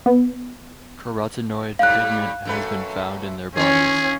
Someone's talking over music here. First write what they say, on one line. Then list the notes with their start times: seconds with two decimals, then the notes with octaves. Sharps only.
Carotenoid pigment has been found in their bodies.
0.06 B3
1.79 G#2 G3 F5 F#6
2.45 F#2 A3 B4
3.56 D#3 C#4 F4 G#4 C#5